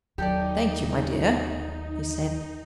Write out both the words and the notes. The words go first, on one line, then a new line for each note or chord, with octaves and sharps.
"Thank you, my dear," he said.
D#2 F#3 D#4 G4 A4 D5